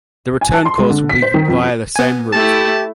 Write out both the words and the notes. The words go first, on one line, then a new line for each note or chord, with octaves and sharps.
The return course will be via the same route.
G#5
A5
C6
G#3
D3
B6
C5
D#3
F2
B3 G#5
A3 E4 G4 A5